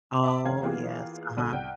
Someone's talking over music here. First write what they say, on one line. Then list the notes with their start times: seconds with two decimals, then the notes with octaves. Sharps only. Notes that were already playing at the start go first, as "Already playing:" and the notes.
Oh, yes, uh-huh.
0.23 E5 A5 D6
0.45 F1 D#3 C#4 F5 G#6
0.63 E3 A#3 B3 F4 G4 G#4
1.37 C2 D3 B5 F#6 D#7
1.53 C2 F#5 G5